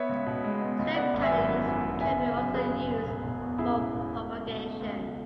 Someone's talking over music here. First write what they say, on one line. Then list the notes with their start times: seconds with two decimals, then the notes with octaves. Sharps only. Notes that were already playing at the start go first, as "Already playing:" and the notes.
Stem cuttings can be also used for propagation.
Already playing: B3 C#5 E5
0.09 C#2
0.26 B2
0.44 G#3
0.61 B3
0.79 C#2
0.96 B3 D5 F#5
1.14 G#1
1.22 E5 G#5
1.31 F#2
1.48 E3
1.66 B3
1.84 G#1
2.01 F#1 E5 G#5
2.18 F#1
2.36 F#2
2.54 C#3 G#4 B4
2.72 F#1
2.88 F#1
3.06 E1
3.23 E1
3.42 E2
3.58 C#3 E4 G#4
3.76 E1
3.94 E1
4.12 C#2
4.29 C#2
4.46 B2
4.64 A3
4.80 C#2
4.99 C#2